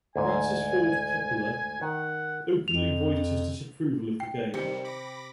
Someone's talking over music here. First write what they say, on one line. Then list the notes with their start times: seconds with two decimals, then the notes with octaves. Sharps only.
Francis Ford Coppola openly voiced his disapproval of the game.
0.16 D2 G#2 G#5
1.81 D#3 F#5
2.68 F2 F7
4.20 G5 C7
4.54 C3 D#3 G3 G4 C#7
4.84 B5 D6 A#6